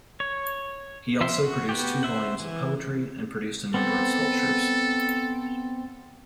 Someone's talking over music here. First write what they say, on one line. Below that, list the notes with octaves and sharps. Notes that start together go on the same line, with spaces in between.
He also published two volumes of poetry and produced a number of sculptures.
C#5
F3 E5 C6
F#4
B3 F#4 G4
C5 E5 F#5
E3
B3 C4 A4